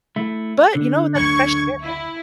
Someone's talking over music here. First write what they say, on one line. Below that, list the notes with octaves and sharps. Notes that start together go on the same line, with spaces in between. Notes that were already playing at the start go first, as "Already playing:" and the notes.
But, you know, that's fresh air.
A3 E4
D3
F#1 D2 C#6 G#6
E4